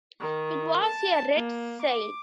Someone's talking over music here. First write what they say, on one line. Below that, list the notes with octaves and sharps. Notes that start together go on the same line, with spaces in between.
It was a red sail.
D#3
A5
A#3
D6